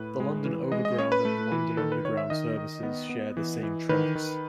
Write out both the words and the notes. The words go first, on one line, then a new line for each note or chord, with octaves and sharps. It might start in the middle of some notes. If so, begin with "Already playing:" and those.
The London Overground and London Underground services share the same tracks.
Already playing: A2 B4
G#3
E3
G#3 D#5
D#5
C#4 C#5
B4
A3
E3
D#3 A4
B4
D#3 C#5
E5
D#3 D#5
D#3
B3
B3
E3
E3
D#3 B4
D#3